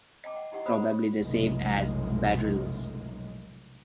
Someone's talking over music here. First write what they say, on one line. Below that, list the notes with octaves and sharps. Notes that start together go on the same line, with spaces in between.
Probably the same as Bardyllis.
D#5 G5 A5 D6
F#5
D#4 E4 G4 D#5 F#5 C#6
F4 C5 A#5 B5 D#6
F#5 C#6
F1 B1 F#2 A2 G#3 A#3